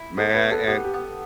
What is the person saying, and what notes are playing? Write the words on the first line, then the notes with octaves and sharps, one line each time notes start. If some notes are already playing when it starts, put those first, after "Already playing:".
man and
Already playing: E4
B3 A4
B4
B3
A4
B3 G4
G4
B3